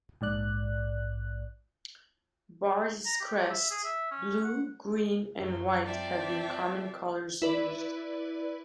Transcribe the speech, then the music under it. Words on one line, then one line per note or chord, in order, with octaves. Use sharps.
Bar this crest, blue, green and white have been common colours used.
A#1 G#2 D5 F#6
A#5
G4
E5
G#4
E5
C#4
F#5
F#2 F#3
C4 F4 D5 E5 G5 A5
E4 B4 D5